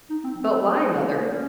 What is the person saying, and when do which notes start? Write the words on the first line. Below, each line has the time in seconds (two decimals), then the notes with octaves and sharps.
"But why, mother?"
0.10 D#4
0.24 C4
0.39 C4
1.28 C#4